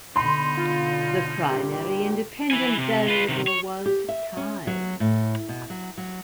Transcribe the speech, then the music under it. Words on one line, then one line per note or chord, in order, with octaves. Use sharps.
The primary independent variable was time.
B2 D3 D#4 B5 C6
F4
G2 A#2 G4
E4 G#5
C3
F4 B4
C3 D#3
C#5
G4
E5
C#4
F#3
A2
B2
F#3
F#3